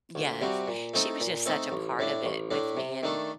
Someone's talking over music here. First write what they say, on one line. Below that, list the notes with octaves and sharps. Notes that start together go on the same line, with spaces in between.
Yes. She was just such a part of it with me, and
D2
C3 G3 C4 F#4
A#2
A3 C4 D#4 A4
A#2
A3 C4 D#4 A4
A1
A2 A3 D4
A1
A2 A3 D4
C3
D#3 A3 D4 A4